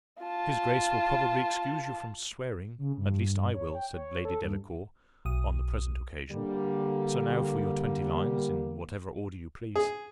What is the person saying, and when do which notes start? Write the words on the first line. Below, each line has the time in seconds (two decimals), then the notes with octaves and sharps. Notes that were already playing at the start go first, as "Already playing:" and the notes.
"His Grace will probably excuse you from swearing; at least I will," said Lady Delacour, "on the present occasion: so now for your twenty lines in whatever order you please."
0.23 F4 A5
2.78 C#3
2.97 G2
3.54 C#5
3.75 G5
3.93 C#5
4.25 A4
4.43 G2
5.25 B1 D#6
6.30 D3 G3 A#3
9.76 G#4